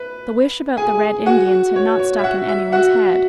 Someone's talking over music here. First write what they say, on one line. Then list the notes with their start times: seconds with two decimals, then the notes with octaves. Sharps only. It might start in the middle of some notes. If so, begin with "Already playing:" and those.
The wish about the Red Indians had not stuck in anyone's head.
Already playing: B4 B5
0.77 G#4 G#5
1.26 F#4 F#5
1.76 C#5
1.99 C#5
2.19 E5
2.24 F#4 F#5
2.48 E5
2.72 F#4 F#5